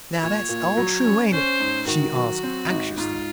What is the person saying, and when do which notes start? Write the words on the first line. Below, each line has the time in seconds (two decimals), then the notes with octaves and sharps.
"Now, that's all true, ain't it?" she asked anxiously.
0.21 A#2 C#5
0.49 A#2
0.77 F#3
1.05 C#4
1.32 C#4 C5
1.60 G#2
1.87 D#3 F#4
2.15 F#3
2.43 C4
2.70 G#1
2.98 G#2 F4